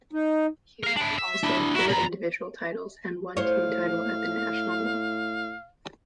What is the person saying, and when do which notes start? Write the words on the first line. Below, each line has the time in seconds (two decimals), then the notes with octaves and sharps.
He won also four individual titles and one team title at the national level.
0.13 D#4
0.83 A#4 F5
0.96 D4 E4
1.18 E5
1.44 D4 E4
1.76 E4 F#4 A#4
1.90 E2 B2 A#5 B5
3.37 A2 C5 C#5 F5